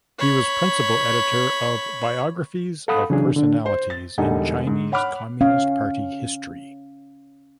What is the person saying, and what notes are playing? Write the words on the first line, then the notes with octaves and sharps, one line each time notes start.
He was principal editor of "Biographies of Personalities in Chinese Communist Party History".
C#5 B5
A4 F5 F#5 B5 D#6
C#3 E3 F#3 D4 G#4
D3 D4
C5
A6
E1 D3 G3 D#4 F#5 G#5
G#2
C#5 F#5 B5 D6 F6 F#6
C#4 F5